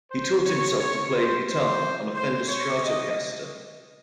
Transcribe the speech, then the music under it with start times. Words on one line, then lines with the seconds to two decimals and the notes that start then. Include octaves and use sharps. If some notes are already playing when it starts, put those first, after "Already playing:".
He taught himself to play guitar on a Fender Stratocaster.
0.11 C5
0.44 C#5
0.79 C#5
1.13 C5
1.47 C5
2.15 C5
2.48 C#5
2.83 D#5